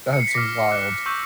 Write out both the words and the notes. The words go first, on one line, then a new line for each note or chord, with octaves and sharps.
That's wild.
C#7
C7
B6
D6 F6 A#6
D6 F#6
C#6 E6 G6